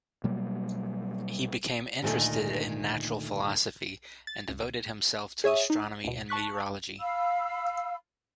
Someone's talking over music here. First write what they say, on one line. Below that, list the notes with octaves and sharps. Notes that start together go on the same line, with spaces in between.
He became interested in natural philosophy, and devoted himself to astronomy and meteorology.
B2 F#3 G3 A#3
D2 A#2 D#3 A3 D#5 G#5
A6
C#2
G#4 C#5 E5 D#6
D#4
D2 B2
A5 C#6 F#6 B6
F5 B5 E6